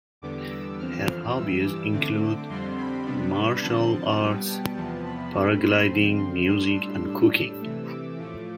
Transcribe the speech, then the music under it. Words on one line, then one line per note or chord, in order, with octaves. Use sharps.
Her hobbies include martial arts, paragliding, music, and cooking.
E2 D3 G3 B3 D6
E6
E2 D3 F3 C4 F6
G2 E3 G3 E6
D6
D3 A3 C4 D6
F2 D3 G3 C4 C6
B5
C3 G3 B3 D4
D3 F3 C4 A5
B2 G3 B3 G5
A5
E2 C3 F3 B3
B5
B2 A3 C4
C6
D3 F3 C4
C6
A2 G3 D4
E6
A2 G3 D4
E6
C3 E3 A3
D6
A2 F3 A3